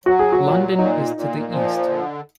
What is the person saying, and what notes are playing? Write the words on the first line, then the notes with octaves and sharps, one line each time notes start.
London is to the east.
F#3 F#4
G#4
F#4
A#2
A#2 D#4
A#2
F3
D3